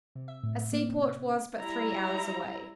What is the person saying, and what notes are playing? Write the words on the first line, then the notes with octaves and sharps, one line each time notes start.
A seaport was but three hours away.
C3
E5
A2
A#3
C3
C#4
G3 E4 A#5